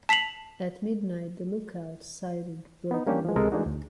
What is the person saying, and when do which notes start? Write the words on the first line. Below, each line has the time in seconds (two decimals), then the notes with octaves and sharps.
At midnight the lookouts sighted broken water.
0.09 A5 B6 C7 F7 F#7
2.91 B3 D#4
3.06 G3 A#3 C#4 D4 G4
3.25 F3 G#3
3.36 C#2 C3 G#3 A4 A#4
3.52 E3 G#3 A3 D4 D#4 F#4
3.66 D2